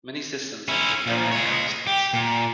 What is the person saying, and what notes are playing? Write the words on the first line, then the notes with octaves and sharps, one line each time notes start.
Many systems have degenerate ground states.
C#4 E4
A#2 F3
G#3 C#5
G4
A#2